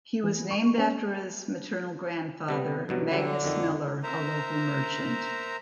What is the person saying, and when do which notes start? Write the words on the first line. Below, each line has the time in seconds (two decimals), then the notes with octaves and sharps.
He was named after his maternal grandfather, Magnus Miller, a local merchant.
0.24 E3
0.50 C#6
0.78 C#4
2.49 C3 G3 B3
2.89 G2 B2 F#3
3.12 D3 F#3 G3
3.44 F2 D#3
4.03 A#4 C5 E5 A#5